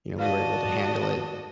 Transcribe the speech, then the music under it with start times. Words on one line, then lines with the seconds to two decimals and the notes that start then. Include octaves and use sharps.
You know, we were able to handle it,
0.18 F#4 B4 D5 D#5 F5 A5 A#5